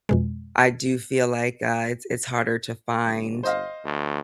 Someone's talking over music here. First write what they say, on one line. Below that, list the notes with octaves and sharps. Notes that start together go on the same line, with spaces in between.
I do feel like, uh, it's it's harder to find,
F2 B2 G#3
G1
C5 D#5 F5
D2